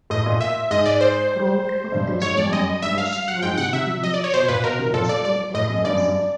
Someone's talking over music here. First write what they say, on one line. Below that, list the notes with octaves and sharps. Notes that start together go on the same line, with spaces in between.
Growth of the small crossroads village was slow at first.
A2 D#5
A#2
E5
G#2 D#5
D5
C5
G2
G2
G#2 C#5
F2 D5
F#2 D#5
G2 E5
F5
F5
F#5
G#2 G5
C3 F#5
C3 E5
D#5
D5
C#5
B2 C5
A#2 B4
B2 A#4
C3
A#2 A4
D5
D5
A2 D#5
F#2
G2 D5
F#2
G2